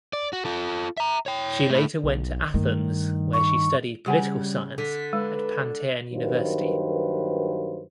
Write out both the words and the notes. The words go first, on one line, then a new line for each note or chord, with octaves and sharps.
She later went to Athens where he studied political science at Panteion University.
D5
F#4
F4 A4
E5 A#5
C#5 G5
A3 E4
B1
G2 D#3 A3
C#6
C#3 G3 G4 F#5 G#5
D3 B6
G#3 B4
G2 D#3 F#3 A#3 B4 C5